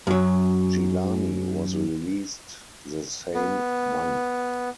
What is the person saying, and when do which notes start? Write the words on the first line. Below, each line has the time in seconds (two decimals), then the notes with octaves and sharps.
Gilani was released the same month.
0.07 F#2 F#3
3.35 B3